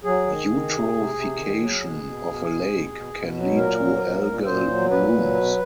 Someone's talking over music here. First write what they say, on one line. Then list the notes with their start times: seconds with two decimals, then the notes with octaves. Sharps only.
Eutrophication of a lake can lead to algal blooms.
0.04 F#3 G#4
0.27 D#3
0.48 D#3
0.71 C3
0.93 C3
1.14 C3
1.36 D#3
1.59 F#3
1.81 B2
2.03 B2
2.25 B2
2.48 B2
2.69 B2
2.91 B2
3.14 B2
3.36 F#3
3.57 A#2 A#4
3.79 F#3
4.02 A#2
4.24 A#2
4.46 A#2 C5
4.68 F#3
4.90 A#2 B4
5.13 F#3
5.35 B2